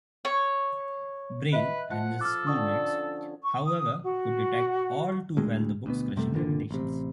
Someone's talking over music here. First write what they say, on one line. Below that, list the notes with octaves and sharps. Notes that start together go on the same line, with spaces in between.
Braille and his schoolmates, however, could detect all too well the books' crushing limitations.
C#5
B4 D#5 E5
F3 F#5
A4 D6 F6
D3 C#4 C#6 D#6
C#6
D#6
F#4
D2 A2 G#3
D2 B2 B3
F#2 C3 G3 A3
G1 C2 A#2 D3
A1 C3